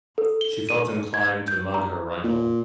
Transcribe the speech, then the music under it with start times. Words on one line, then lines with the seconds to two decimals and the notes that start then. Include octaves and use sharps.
She felt inclined to mug her rival.
0.18 A4
0.41 G7
0.69 D#7
1.14 G#6
1.48 G6
1.74 A#5
2.24 A#2